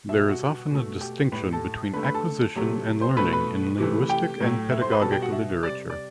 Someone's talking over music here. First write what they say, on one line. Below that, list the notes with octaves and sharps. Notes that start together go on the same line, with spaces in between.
There is often a distinction between acquisition and learning in linguistic and pedagogic literature.
B2 G3 E5
E5
F#4 F#5
B2 A3
G4 G5
A2 G3 B4 B5
A4 A5
D3 A3 B4 B5
B4 B5
A4 A5
C3 F#3 A3
C5 C6
B2 A3 B4 B5
B4 B5
C3 E3 A3
G4 G5
A2 F#3 A3
E5
C5 C6
B4 B5
B2 G3 A4 A5
G4 G5
F#4 F#5
E5
C3 G3 D5
D5